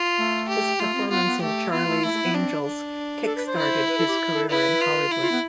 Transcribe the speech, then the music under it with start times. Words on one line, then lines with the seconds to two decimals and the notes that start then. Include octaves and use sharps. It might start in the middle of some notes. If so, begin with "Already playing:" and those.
His performance in Charlie's Angels kick-started his career in Hollywood.
Already playing: F4
0.18 A3
0.49 G4
0.80 A3 F4
0.95 C4
1.10 B3 F4
1.26 B3
1.41 A3 G4
1.72 B3 F4
1.87 A3
2.03 A3 E4
2.13 A3
2.24 B3
2.33 C4 D4
2.65 D4
3.26 A4
3.36 B4
3.47 C5
3.57 E4
3.88 B4
3.98 A4
4.08 G4
4.34 A4
4.50 E4 B4
4.81 F4
5.11 E4
5.21 F4
5.32 B3